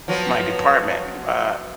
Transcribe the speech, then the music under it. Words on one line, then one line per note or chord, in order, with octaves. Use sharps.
my department, uh
F3 F#3 B3